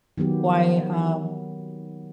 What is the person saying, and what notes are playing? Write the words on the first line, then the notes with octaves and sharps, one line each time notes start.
why um
D#3 F#3 B3 G4